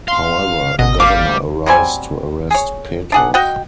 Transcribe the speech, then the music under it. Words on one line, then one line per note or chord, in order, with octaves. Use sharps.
However, a governor arrives to arrest Petrov.
F5 C6
G#1 B2 D#5
G3 F5 D6
F#3 G3 C4 G#5
G#4 C#5
D4 G#4 F#5
F#4 D#5 F#5 G5